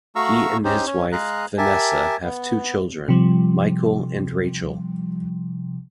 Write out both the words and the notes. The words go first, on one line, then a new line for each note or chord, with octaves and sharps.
He and his wife, Vanessa, have two children, Michael and Rachel.
A3 F#4 F5 A#5 C#6 E6
C#4 D#4 G4 C5
C#4 C#5
G#3 G#4 F5 A#5 F#6
G4 A#4 E5 G#5 A5
B3
C3 F3 G3